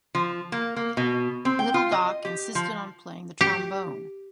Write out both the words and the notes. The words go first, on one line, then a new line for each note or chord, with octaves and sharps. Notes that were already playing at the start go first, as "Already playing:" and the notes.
Little Doc insisted on playing the trombone.
F3
A#3
A#3
B2
C4
G5
F4
D#5
G4
F3
G4